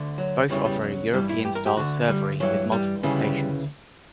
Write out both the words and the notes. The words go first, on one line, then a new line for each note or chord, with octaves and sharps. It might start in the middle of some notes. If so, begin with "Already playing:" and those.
Both offer a European-style servery with multiple stations.
Already playing: D2 D3
F#3
E2 C#3 E3 G3
G3
F#3
G2 E3 G3
E4
G4
A#4
G4
D2 D3 F#4
G3
G2 E3 F#3
G3
D2 C#3 E3 G3